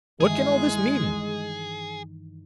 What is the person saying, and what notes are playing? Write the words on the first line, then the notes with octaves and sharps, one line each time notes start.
"What can all this mean?"
G2 D#3 E3 G#3 G#4